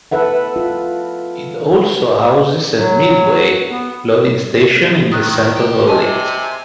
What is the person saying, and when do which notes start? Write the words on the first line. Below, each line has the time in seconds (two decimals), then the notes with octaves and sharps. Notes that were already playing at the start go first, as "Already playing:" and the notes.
It also houses a "midway" loading station in the center of the lift.
0.11 A4 B4 E5 F#5
0.56 F4
2.76 F#3
3.71 B3
5.12 D#2 D#3 D#6 F#6
5.56 F4 G5
5.88 C3 D#5 G#5 A5